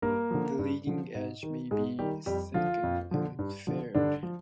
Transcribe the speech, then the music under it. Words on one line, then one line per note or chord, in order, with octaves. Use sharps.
The leading edge may be thickened and faired.
G2 A#3 A#4
D3 F3
G2
D3 F3
G#2
D#3
G#2 G#3 G#4
D#3 G3 G4
F2 G3 G4
D3 F3 F4
F2
D3 F3
G2
D3 F3
G2 D3 D4
F3